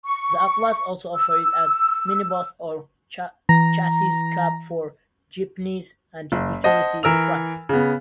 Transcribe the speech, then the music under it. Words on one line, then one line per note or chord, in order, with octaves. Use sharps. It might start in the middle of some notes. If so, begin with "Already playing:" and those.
The Atlas also offered as minibus or chassis cab for jeepneys and utility trucks.
C#6
E6
E3 A#5 A#6
F#1
C5 D#5 F#5 A5
E3 A#4 E6 F7
C#3 B3